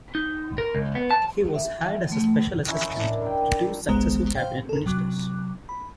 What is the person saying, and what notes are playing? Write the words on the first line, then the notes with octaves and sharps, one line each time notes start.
He was hired as a special assistant to two successive Cabinet ministers.
D#4
A#4
C#2
B3
A5
E5
A3
E3 C#4 D#4 E4
D4 A#4
A#4 G5
G1 C2 G#3 B3 C5 A#5
C5 F5 G5
A4 A#4
C3 F#3 D6 F#6
B5